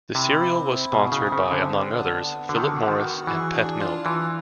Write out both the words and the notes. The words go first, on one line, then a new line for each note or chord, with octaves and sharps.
The serial was sponsored by, among others, Philip Morris and Pet Milk.
C3 E4
C4
E4
B2 G#4
C#3
C4
C#3
C4
D3
D4
B3
B3
D3 F#4
D#3
D3
B3
D3
D#3
F#4
E3 G#4
D4
F4
E3 F4